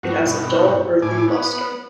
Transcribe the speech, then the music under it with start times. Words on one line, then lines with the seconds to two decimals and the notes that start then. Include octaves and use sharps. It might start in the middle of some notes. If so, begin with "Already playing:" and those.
It has a dull, earthy lustre.
0.03 G2 F#4
0.26 G2 B2
1.02 A2 G#5 D6
1.28 B3